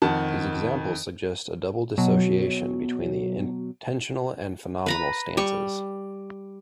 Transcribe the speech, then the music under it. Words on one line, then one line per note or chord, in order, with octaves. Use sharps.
These examples suggest a double dissociation between the intentional and phenomenal stances.
F2 D#3 F#5 A5
B2 F#3
B4 A#5 B5
G3 C#6